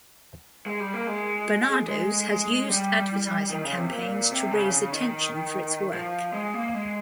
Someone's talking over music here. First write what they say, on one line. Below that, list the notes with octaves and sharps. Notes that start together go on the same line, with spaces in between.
Barnardo's has used advertising campaigns to raise attention for its work.
G#3
G3
A#3
G#3
G#3
G#3
G3
D#3
C#3
C3
A#2
C3
C#3
C#3
D#3
F3
G#3
A#3
G#3